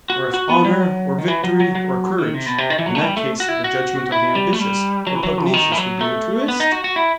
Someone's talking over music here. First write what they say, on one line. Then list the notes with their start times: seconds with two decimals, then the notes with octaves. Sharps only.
Or if honour or victory or courage, in that case the judgment of the ambitious or pugnacious would be the truest?
0.10 F#4
0.34 F#4
0.49 B3
0.65 G3
0.80 F#3
1.18 D#3
1.28 E3
1.44 F#3
1.60 F#3
1.75 F#3
2.18 E3
2.23 D#3
2.34 C3
2.46 B2
2.58 C3
2.70 D#3
2.79 E3
2.86 F#3
2.95 A3
3.02 G3
3.17 A3
3.40 F#4
3.49 E4
3.64 F#4
4.12 E4
4.35 G3
4.53 A3
4.59 G3
5.07 F#3
5.15 E3
5.23 F#3
5.44 C3
5.53 D#3
5.72 E3
5.77 F#3
6.01 A3
6.48 B3
6.60 D#4
6.72 F#4
6.84 F#4
6.96 E4